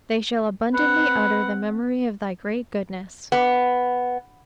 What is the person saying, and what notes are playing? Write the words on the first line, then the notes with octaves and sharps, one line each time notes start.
"They shall abundantly utter the memory of thy great goodness."
C4 B4 F#5
B3